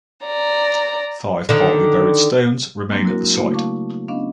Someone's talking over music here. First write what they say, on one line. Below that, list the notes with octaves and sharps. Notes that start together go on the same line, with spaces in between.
Five partly buried stones remain at the site.
D5 A#5
D3 D#3
F#3 G#3 A#3 C4 D4
E4 F#4 A#4
C#3 A3 A#3 E4 F#4
F5 A5 C#6 D6
B3 C#4 D4 D#5 F5